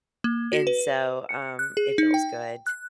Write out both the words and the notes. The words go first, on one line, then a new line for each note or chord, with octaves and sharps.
And so, um, it feels good.
A#3
F#4
B4
C#7
F#6
G#4
D#4
G5
F#6